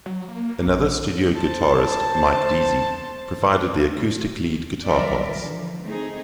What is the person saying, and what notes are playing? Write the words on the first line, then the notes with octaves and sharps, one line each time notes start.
Another studio guitarist, Mike Deasy, provided the acoustic lead guitar parts.
F#3
A#3
A#1
C5 A5
D#3 F#3 G3 A#4 D5 E5
D3 E3 F3
A3 C4 D#4 G#4